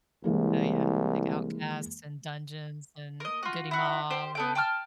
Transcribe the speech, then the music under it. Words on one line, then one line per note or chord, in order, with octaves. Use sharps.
Oh yeah, like Outkast and Dungeons and Goodie Mob and
C2 E3 G#3 A#3
A#4 D#5
F4 F#4
E4 F#4
G4 C5
B3 A4 G5
G5 A5 D6 F6